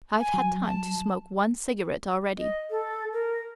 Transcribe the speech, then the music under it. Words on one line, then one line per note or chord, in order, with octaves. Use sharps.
I've had time to smoke one cigarette already.
G#5
F#3
A5
D#5
A4
A#4